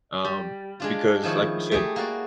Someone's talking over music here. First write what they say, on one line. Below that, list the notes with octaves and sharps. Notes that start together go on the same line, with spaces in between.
um, because like you said
G3
G#3 D4 F4
D#3 F3 E4 C#5
A3 G4 G#4
A#3 F#4 D5